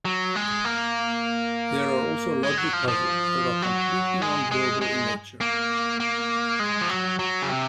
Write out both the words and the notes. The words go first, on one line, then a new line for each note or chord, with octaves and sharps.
There are also logic puzzles that are completely non-verbal in nature.
F#3
G#3
A#3
G#3
F#3
F3
F3
F#3
G#3
G#3
G#3
A#3
A#3
G#3
F3
F#3
F#3
C#3
C3